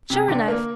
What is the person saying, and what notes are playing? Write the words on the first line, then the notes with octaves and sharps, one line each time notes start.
Sure enough.
C3
D3
A#3